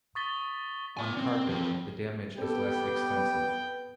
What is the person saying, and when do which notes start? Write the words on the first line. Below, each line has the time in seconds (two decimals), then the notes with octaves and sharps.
On carpet, the damage is less extensive.
0.15 C#6 D#6 A6 B6 G7
0.97 D5 G#5
1.17 C4
1.49 F3 C4
2.38 G3 B3 C4 A4 G5